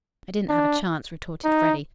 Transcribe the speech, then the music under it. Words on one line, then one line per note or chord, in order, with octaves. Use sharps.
"I didn't have a chance," retorted Freddy.
D4
D#4